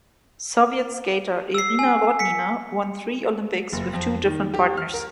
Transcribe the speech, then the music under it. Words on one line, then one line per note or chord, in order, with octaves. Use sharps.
Soviet skater Irina Rodnina won three Olympics with two different partners.
E6 C7
G#5
B6 C#7
F#1
F2
D#3
G4
F6
A#4